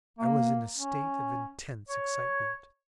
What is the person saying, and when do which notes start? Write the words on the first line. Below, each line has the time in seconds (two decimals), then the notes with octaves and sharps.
I was in a state of intense excitement.
0.19 A#3
0.77 C#4
1.89 C#5